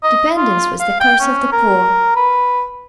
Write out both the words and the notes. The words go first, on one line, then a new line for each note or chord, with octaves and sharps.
Dependence was the curse of the poor.
D#5
F4
F5
G5
C#4
A#4
B4